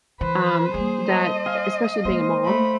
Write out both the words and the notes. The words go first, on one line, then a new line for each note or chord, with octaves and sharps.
um, that, e especially being a mom,
E3 B4 C5
G3 A#3 G#4
A4 D#5
F5 G#5
G#3 A#3 C5
A3 B5